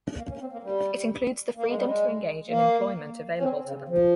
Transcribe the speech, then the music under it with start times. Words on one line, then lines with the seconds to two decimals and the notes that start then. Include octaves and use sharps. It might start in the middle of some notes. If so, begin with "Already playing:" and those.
It includes the freedom to engage in employment available to them.
0.18 A#3
0.29 C#4
0.41 C4
0.53 A#3
0.63 G3
1.57 A#3
1.66 G#3
1.76 G3
1.85 G#3
2.49 A#3
3.39 C#4
3.42 C4
3.66 C#3
3.89 F3